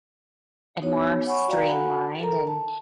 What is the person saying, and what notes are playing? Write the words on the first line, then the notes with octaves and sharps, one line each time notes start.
and more streamlined, and
B3 D#4 F#4 C#5
C#5 F#5 G#5 B5 C#6
F#4 D5 F5 G5 A#5
F#4 A4 F#5 G#5 B5
A4 A#4 A#5
A5